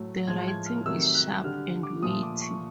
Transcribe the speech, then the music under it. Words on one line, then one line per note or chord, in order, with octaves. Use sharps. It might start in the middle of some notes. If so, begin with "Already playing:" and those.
The writing is sharp and witty.
Already playing: A2 F#3 A3
A2 F3 G#3 G#6
G#6
F6
C3 D#3 F#3 A3 E6
F#6
D3 G3 F6
D6
A#2 F3 A3 D#6
D6
C#6